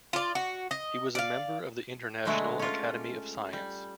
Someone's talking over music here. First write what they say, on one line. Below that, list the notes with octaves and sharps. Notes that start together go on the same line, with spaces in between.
He was a member of the International Academy of Science.
F4 D5
F#4
D#5
D5 F5
B2 D3 F#3 G#3 A3
C#4 F4
G3